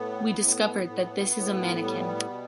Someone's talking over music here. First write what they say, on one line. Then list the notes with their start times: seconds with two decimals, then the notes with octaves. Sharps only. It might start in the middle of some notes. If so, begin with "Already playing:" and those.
We discovered that this is a mannequin.
Already playing: A2 B3
0.40 A2
0.87 A2
1.35 A2
1.82 G3
2.30 B2